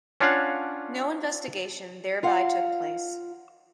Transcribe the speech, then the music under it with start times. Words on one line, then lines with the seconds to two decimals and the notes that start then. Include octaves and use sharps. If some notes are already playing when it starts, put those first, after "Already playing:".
No investigation thereby took place.
0.21 C#4 D4 F4 C#5 F5 F#5
2.23 F4 F5 F#5